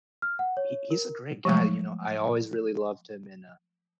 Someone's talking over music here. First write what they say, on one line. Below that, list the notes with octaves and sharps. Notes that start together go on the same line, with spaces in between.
he he's a great guy, you know, I always really loved him in, uh,
F6
F#5
C#5
A#4
F3 F#3 G#3 A3 C#6